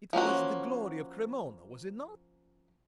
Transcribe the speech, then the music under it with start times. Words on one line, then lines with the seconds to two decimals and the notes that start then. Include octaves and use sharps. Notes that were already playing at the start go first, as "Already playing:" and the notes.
It was the glory of Cremona, was it not?
0.13 F3 A#3 C#4 F#4